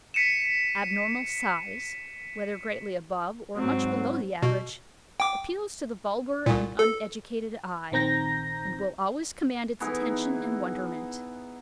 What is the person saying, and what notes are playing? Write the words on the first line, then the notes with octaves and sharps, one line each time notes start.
Abnormal size, whether greatly above or much below the average, appeals to the vulgar and uneducated eye, and will always command its attention and wonderment.
B6 C#7 D#7 E7
G#2 F#3 C4
B2
G5 D6
C2 A#2
A4
A#1 D#3 C4 A#5 G6 A#6
E3 B3 D#4 G#4